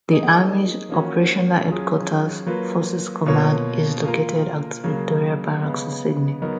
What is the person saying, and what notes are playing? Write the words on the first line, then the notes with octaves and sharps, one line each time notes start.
The Army's operational headquarters, Forces Command, is located at Victoria Barracks in Sydney.
F#3 A#3 D#4 G#4
F3 A#3 C#4 F#4
F#3 C#4 F4 G#4
F#3 A#3 F4 B4
B2 A#3 F4 A#4 C#5
A#3 F4 A#4
C#3 F#3 A#3
C#3 G#3 B3
F#3 B3 D#4 A#4